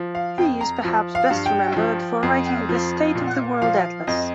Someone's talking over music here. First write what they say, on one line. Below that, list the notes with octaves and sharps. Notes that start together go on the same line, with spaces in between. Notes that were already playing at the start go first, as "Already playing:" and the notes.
He is perhaps best remembered for writing "The State Of The World Atlas".
Already playing: F3
F5
F2 G5
A#5
F3
F5
G2
G5
F3
F2
F3
A#2
F3 F5
F2 D#5